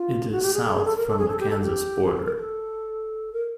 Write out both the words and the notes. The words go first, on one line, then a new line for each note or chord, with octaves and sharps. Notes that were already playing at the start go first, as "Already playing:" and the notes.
It is south from the Kansas border.
Already playing: F4
F#4
G4
G#4
A4
G#4
A4
A#4
A4
G#4
A4
G4
A4
G4
G#4
A4
A#4
A4
A#4